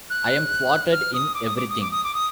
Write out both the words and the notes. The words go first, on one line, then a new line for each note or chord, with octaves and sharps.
I am thwarted in everything.
F#6
F6
D#6
D6
D#6
D6
D#6
D6
D#6
D6
D#6